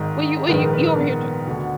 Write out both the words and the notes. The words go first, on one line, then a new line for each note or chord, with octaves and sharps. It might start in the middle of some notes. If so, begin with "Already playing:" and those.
Well, you you over here, tr
Already playing: G#1 G#2 D#3
A#1 G#2 D#3 B4
A#4
B4
A#4
B3
D2 D3